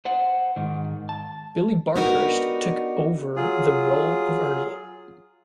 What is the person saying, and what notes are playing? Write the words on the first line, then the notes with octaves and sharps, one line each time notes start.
Billy Barkhurst took over the role of Ernie.
C5 F#5
G#2 D#3
A5
B3 D4 D#4 F#4 G4 A#4
F#3 F4 G#4